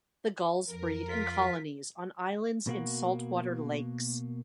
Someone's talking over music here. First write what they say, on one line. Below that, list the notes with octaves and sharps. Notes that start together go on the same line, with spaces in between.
The gulls breed in colonies on islands in saltwater lakes.
F2 A#4
F4 B6
B2 A#3 F#4